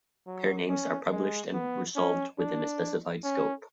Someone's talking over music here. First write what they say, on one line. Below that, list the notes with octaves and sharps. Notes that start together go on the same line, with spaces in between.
Peer names are published and resolved within a specified scope.
F#3
C#4
G#3
B3
C#4
D4
C#4